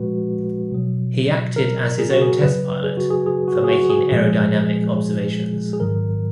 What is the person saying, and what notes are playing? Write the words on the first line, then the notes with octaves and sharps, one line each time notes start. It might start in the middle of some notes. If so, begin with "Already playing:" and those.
He acted as his own test pilot for making aerodynamic observations.
Already playing: A#2 F3 G#3 F#4 B4
B2 F#3
A#4
G#4
F#4
G#4
F#2 C#3 F#3 B4
G#4
F#4
G#4
G#4
F#4
G#4
F#4
G#4
A#2 F3 G#3
G#4
G#2 D#3 F#3 A#4